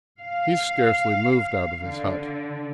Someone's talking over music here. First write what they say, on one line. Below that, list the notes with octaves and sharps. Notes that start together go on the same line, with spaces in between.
He scarcely moved out of his hut.
F5
D3